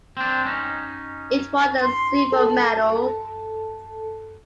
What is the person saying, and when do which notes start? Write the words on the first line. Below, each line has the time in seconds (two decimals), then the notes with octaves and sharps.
It won the silver medal.
0.17 C4 D4
0.45 C#4 D#4
1.81 C6
2.32 A4 A5